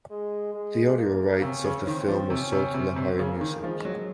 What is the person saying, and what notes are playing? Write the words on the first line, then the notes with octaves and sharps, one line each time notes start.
The audio rights of the film was sold to Lahari Music.
G#3
G#3
A#3
C3 C#4
C#3
D#3 C4
F3
C3 C#4
C3
C3 C4
C3
C#3 A#3
D#3
F3 G#3
F#3